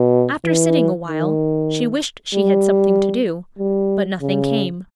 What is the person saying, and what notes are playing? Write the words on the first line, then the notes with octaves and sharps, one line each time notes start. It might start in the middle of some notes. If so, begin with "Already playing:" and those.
After sitting a while, she wished she had something to do, but nothing came.
Already playing: B2
E3
D#3
G3
G3
C#3